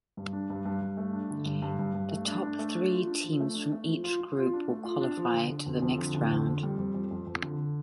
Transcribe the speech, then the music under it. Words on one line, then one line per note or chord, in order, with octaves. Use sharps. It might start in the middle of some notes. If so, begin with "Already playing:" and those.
The top three teams from each group will qualify to the next round.
G2
D4
G2
G2
G2
A3
D4
D3
G2
G2
G2
G2
A3
D4
D4
A3
D4
F4
D4
F3
A3
D4
A3
F3
F4
F4
F4
D4
A3
F4
D4
F3
D3
D3
F2
F2
D3
D3
F2
F2
G3
F2
F2
F2
F2
D3